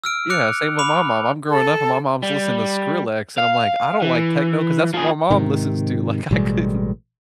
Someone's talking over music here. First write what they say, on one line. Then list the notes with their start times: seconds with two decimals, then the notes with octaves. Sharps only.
i yeah, same with my mom, I'm growing up and my mom's listening to Skrillex, and I'm like, "I don't like techno 'cause that's what my mom listens to," like, I couldn't
0.04 E6 F6 D7
0.30 D6 F#6 C#7 F7
0.79 B5 D6 F7
1.49 A4
2.23 G3
3.38 F5
4.02 E3
4.94 F3 G#4
5.30 G#2 C3 D#3
6.31 A1 B2 G3 G#3